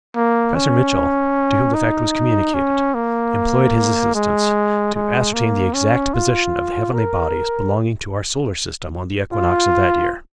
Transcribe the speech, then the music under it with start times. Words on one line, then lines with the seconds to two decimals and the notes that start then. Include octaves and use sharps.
Professor Mitchell, to whom the fact was communicated, employed his assistants to ascertain the exact position of the heavenly bodies belonging to our solar system on the equinox of that year.
0.15 A#3
0.55 C#4
1.74 D#4
2.54 C#4
2.94 A#3
4.14 G#3
4.94 G#3
5.33 A#3
5.73 C#4
6.14 F4
6.93 A#4
9.32 F4